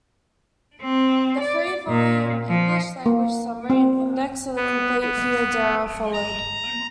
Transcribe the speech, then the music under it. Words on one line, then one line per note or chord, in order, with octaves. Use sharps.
A three-volume English-language summary and index of the complete "Foedera" followed.
C4
D5
A#2
F3
A#3
C4
B3
B3
A#5